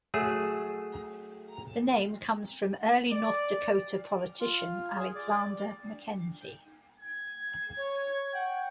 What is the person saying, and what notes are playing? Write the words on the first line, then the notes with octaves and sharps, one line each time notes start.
The name comes from early North Dakota politician Alexander McKenzie.
F#3 A3 G#4 E5
D5
F4
G#4
D5
G#6
C#5
F#5 G5